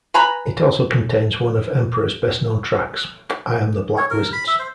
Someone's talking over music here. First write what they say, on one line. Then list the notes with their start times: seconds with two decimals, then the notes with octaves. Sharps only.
It also contains one of Emperor's best known tracks, "I Am the Black Wizards".
0.14 B4 G#5 A#5 B5
3.98 C#5
4.10 A#4
4.33 B5
4.47 E5
4.59 C5